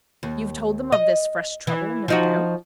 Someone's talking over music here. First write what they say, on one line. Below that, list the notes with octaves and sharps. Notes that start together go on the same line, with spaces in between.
"You've told them of this fresh trouble, no doubt."
D#2
D#5
E3
F3 D#4 F#4